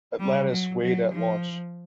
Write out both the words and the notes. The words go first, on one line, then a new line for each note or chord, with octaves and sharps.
"Atlantis" weighed at launch.
G3
F#3
F#3
F3